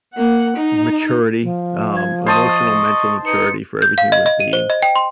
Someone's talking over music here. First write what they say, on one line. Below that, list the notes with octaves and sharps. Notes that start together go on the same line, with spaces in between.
maturity, um, emotional mental maturity for every human being,
A#3 F#5
D#4
F3
G#6
C5 D#5 A5 C#6 D#6
D#4 B4 C#7
G6
F5
D#5
D#5
D#7
C5
D#5
G5
C6